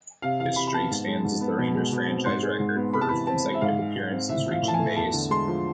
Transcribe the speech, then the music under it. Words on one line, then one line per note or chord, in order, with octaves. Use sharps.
This streak stands as the Rangers franchise record for consecutive appearances reaching base.
C3 F5
E3 F5
C3 B5
B5
B3 A5
G#2
G#3
G#2
B3
B2
G#3
B2
C4
G#2 C6
G#3
G#2
B3
C3 B5
A5
E3 B5
C4 A5
G#3
E5
G#2 F5
G#3
G#2
C4
A2 E5
F3 F5
A2
A5
G#5
A3
E2 A5
D3
G#3 C6
F3